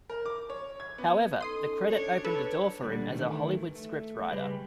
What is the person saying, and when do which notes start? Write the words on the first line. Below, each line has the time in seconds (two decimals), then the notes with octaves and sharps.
However, the credit opened the door for him as a Hollywood scriptwriter.
0.10 A#4
0.26 D6
0.50 C#5
0.80 G#6
0.98 B3
1.41 C#4 D#4 A4 C6 D#6 C7
1.88 D4 C#5
2.25 A4 B4
2.82 A#2 D3 G3
3.11 D#3 E3 A3
3.75 A3
4.31 C#3 G3 G#3 G4 B4